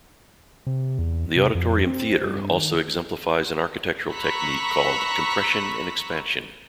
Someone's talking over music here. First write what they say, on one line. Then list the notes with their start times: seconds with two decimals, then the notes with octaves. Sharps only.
The Auditorium Theatre also exemplifies an architectural technique called "compression and expansion".
0.67 C3
0.99 E2
1.36 C3
1.55 F2
1.87 C4
2.25 G2
2.53 D#3
4.12 A#5 B5 C#6 E6 F#6 B6